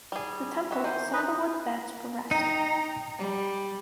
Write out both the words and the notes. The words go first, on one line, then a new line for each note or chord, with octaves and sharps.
The temple has sandalwood beds for resting.
G3 G#4
F#4 G4 E5
D#3 E3 C5
D#4 B4
D#4 G5 A#5
G3